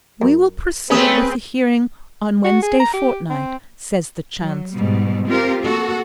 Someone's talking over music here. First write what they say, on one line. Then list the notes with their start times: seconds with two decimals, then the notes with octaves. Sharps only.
"We will proceed with the hearing on Wednesday fortnight," says the Chancellor.
0.22 F#2
0.90 D#2 A3 C4 C#4 G#4 B4 D#6
2.44 F#4
2.62 G#4
2.80 A#5
2.93 G4
3.30 C4
4.40 F#3
4.74 G#2 B2 G3
5.28 C4 F4 G4 A#4 C5
5.63 A#3 F#4 A4